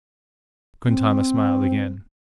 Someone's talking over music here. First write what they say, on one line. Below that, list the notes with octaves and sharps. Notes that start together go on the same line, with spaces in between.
Quintana smiled again.
C4